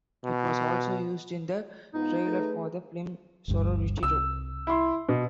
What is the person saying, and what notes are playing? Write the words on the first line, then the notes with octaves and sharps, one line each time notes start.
It was also used in the trailer for the film "Sorority Row".
B2
G#2 B3 D#4 F4
A3 G#4 B4
G1 D2 G2
C2 E6
E4 C6
B2